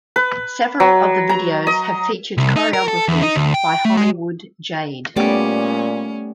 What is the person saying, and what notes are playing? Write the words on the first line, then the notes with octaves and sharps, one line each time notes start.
Several of the videos have featured choreography by Hollywood Jade.
B4
F#3
A#5
D#5
C2
D#4
A#4
A4
E2
D#4
D2
G5
A3
G#3
A#2 G3 A3 B3 C#4 D6